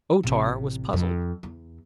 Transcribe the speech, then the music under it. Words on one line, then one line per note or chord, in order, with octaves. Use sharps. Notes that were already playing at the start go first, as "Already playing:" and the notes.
O-Tar was puzzled.
A1 C3
F2
E2